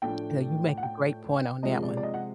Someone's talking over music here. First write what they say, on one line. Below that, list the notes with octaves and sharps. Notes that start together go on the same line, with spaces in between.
So you make a great point on that one.
A2 F3 A3 D4 G5
F#5
G5
C3 F3 G#3 D#5
D5
D5
D#5
F#5